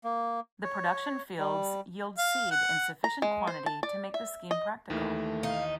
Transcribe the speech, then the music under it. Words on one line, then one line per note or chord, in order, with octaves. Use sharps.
The production fields yield seed in sufficient quantity to make the scheme practical.
A#3
C#5
G3
F5
F#5
A#5
G#3
C5
A5
D5
E5
D#5
D#2 D#3 E3 A3
D#4 F5